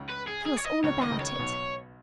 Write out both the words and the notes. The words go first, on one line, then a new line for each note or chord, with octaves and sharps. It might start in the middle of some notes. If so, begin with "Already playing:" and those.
Tell us all about it.'
Already playing: C#2 C#3
B4
G#4
G#4
C#5
D#5
C#2 C#3 C#5
D#3 D#5
C#2 C#3
C#5
B1 B2